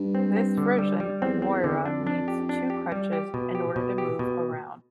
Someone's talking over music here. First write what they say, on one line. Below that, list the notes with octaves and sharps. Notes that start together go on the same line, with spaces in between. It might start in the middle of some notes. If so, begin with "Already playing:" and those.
This version of Moira needs two crutches in order to move around.
Already playing: G2
C4
C4
D3
G3
G3
E2 C4
C4
D3
F2 D4
D4
G4
D4
G4
G3
G4
B2
G4
B2
G4
B2